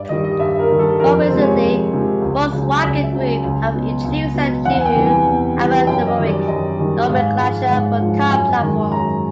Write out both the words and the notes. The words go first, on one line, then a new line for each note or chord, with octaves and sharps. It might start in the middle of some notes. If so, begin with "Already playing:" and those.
More recently, Volkswagen Group have introduced a new alphanumeric nomenclature for car platforms.
Already playing: G2 D5
D#3 G3 D#5
D#5
G2 E5
A#4
D#3 G3
A4
F2 A#4
C5
C3 F3 G#3
C#5
F2
C3 F3 G#3
C#2
C#3 F#3
C#2 D5
E5
C#3 F#3
C#2
B2 F#3
C#2
B2 F#3
E2 F#5
G#5
G5
C3 E3 G3
G#5
E2
C3 E3 G3
F#2 G5
D#5
D#3 G3
D5
F#2 D#5
D#3 G3
G#2 F5
F3 G#3
G#2 F#5
F3 G#3
F#2 G#5
D#3 G#3
F#2 A#5